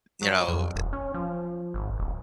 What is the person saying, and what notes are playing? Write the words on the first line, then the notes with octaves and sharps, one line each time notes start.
you know,
F#3
F2
D#1
C#4
F3
G#1
D1